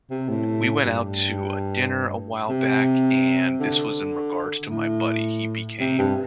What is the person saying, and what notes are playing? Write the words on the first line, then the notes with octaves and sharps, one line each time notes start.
We went out to a dinner a while back and this was in regards to my buddy, he became,
C3
A2
G2
C3
D3
A2
C3
G2